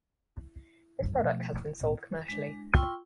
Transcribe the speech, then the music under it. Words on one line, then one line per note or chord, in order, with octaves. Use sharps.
This product has been sold commercially.
G#1 E2 G2
B2 F3 A3
B1 A2 F3 B3
G#3 D4
F4 G5 C6 C#6 E6